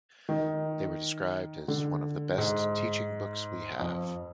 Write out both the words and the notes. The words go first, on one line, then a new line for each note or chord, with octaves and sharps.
They were described as "one of the best teaching books we have".
D#3
D3
G#2
F2